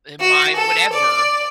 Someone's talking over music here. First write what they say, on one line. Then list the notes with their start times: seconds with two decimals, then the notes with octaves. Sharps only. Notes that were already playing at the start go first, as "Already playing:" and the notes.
uh, my" whatever.
0.21 F#4
0.56 A4
0.93 D5